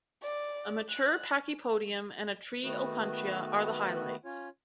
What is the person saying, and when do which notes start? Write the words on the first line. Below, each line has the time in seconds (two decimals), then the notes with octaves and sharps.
A mature Pachypodium and a tree Opuntia are the highlights.
0.22 D5
0.89 F#6
2.63 D#3 A3 B3 F#4 B4
4.25 C#4 F4 C#5